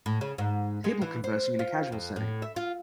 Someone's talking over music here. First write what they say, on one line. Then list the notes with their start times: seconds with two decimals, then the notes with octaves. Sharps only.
People conversing in a casual setting.
0.06 A2
0.21 C#3
0.38 G#2
0.84 G#3
1.02 E3
1.24 C5
1.59 F4
1.92 F2
2.16 A2
2.42 E5
2.56 F4